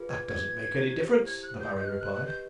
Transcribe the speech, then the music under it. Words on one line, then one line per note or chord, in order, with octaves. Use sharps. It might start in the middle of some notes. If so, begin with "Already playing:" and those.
"That doesn't make any difference," the Baron replied.
Already playing: F4 G#4 B4 D5
G#6
G#6
E4 G4 C5
G#6
F#6
G6
G4 B4 D#5 G6
F#6
F6
F#6
F#6
G6